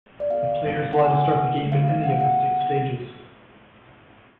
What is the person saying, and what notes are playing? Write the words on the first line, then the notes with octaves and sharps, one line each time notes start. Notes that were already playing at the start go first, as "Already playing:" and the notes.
The player is allowed to start the game at any of the six stages.
D5
B3 F#4 A4 F5
B3 F#4 A4 F#5
G#5
F#5
A3 C#4 F#4 A4
F5
F5
F#5
B3 F4 G#4 F#5